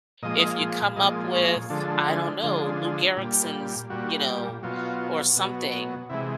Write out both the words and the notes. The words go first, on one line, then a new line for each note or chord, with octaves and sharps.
if you come up with, I don't know, Lou Gehrig's, you know, or something,
A#2 F3 G#3 D#5
A#2 F3 G#3 D#5
C#5
D3 F3 G#3 A4
D3 F3 G#3
A#2 G3
A#2 G3 F#4
B2 F#3 F4
B2 F#3
C3 E3 G#3 E4